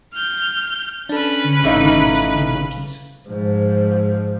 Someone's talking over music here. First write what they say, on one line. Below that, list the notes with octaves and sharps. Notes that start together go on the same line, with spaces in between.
It is illegal to feed monkeys.
F6 G6
C#4 D4 A4 B4
G#1 E3 A3 D#4 F5
G#2 F3